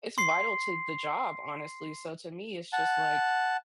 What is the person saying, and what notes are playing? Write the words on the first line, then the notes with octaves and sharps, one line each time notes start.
it's vital to the job, honestly so, to me, it's just like,
C6 C7
F#5 A5